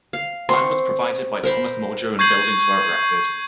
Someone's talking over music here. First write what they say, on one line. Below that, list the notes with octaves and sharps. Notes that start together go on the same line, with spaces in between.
Land was provided by Thomas Muldrow and buildings were erected.
F5
C4 C6 C#6
A#4 C5 B5
C#6 G6 G#6 C7 F#7